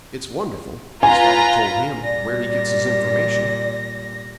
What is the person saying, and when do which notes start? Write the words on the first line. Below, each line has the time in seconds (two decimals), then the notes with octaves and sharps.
It's wonderful, as father told him, where he gets information.'
1.03 F4 B4 G#5 A#5
2.04 A#2 G3 D5 A#6